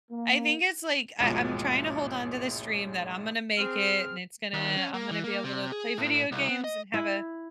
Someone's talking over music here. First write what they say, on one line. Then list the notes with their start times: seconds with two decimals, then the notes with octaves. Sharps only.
I think it's like, I I'm trying to hold on to this dream that I'm gonna make it and it's gonna I'm gonna be able to play video games and have a
0.11 A#3
1.20 A1 D#2 G#2 B2 F3
3.57 C4 G#4 F6
4.53 D#2
4.77 C#4
4.94 A#3
5.11 E3
5.24 A#3
5.44 C3
5.72 G#4
5.98 A2
6.32 C2
6.49 B3
6.64 D#5
6.94 E4